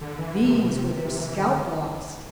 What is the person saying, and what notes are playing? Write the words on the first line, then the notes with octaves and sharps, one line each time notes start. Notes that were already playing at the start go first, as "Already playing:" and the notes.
These were their scalp locks.
D3
E3
D3
C3
B2
C3
C3
E3
E3
D3